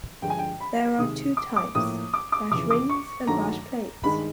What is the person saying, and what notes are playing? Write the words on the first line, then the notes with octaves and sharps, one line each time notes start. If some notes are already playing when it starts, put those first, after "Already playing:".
There are two types, bashrings and bashplates.
G2 D3 F3 G#3 G5
G#5
G5
B5
C3 D#3 G#3 D#6
D6
D6
A2 F3 A#3 D#6
D6
D6
F2 C#3 E3 D6
D6
C#6
G2 D#3 F#3 A3 A#5
G2 D#3 G#3 B5